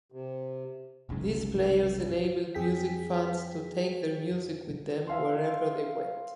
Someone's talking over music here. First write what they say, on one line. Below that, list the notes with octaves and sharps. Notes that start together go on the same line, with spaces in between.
These players enabled music fans to take their music with them, wherever they went.
C3
F1 B1 G#2 C#3
F2 G#4 G5 B6
E5 F5 C6